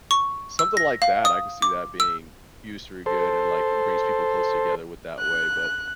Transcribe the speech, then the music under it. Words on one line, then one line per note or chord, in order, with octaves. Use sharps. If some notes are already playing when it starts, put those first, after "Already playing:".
Something like that, I could see that being u used for good and, like, brings people closer together with that way, but,
C#6
E6
A#6
F5
D#6
D6
E6
A4 C5
F#6